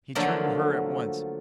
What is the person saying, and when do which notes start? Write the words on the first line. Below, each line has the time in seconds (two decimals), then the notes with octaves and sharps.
He turned to her at once.
0.15 D3 F3 F#3 A3 A#3